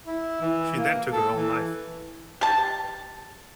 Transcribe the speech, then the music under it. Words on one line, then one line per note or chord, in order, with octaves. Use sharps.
She then took her own life.
E4
E3
A#3
A4
E3
G4 A5